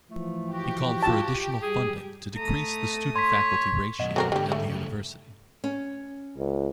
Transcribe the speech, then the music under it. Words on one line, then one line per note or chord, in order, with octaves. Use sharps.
He called for additional funding to decrease the student-faculty ratio at the university.
E3 F3 A3
F#4 G4
F4 A5
G3 G#4
A3 A#5 D#6
C#5 C6 B6
F#2 B2 D#5 F#5
F#3 C4 A4 A#4
G#2 D3 G3 G4
A3
C#3 G3
C#4
C#2